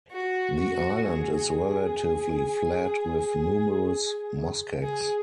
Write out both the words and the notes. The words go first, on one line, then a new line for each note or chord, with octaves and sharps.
The island is relatively flat with numerous muskegs.
F#4
F#4
G#4
G#4